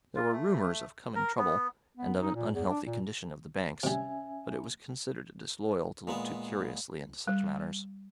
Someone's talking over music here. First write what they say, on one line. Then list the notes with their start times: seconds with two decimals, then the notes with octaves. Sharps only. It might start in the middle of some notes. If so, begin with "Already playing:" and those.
There were rumors of coming trouble, and of an unhealthy condition of the banks; but it was considered disloyal to look too curiously into such matters.
0.16 F4
0.32 A3
1.15 A#4
1.38 B3
1.97 B3
2.21 D#4
2.35 A#2
2.55 E2
2.70 D4
2.85 A#2
3.83 C3 G3 C#4 E5 G#5
6.07 A#2 G#3 B3
7.28 G3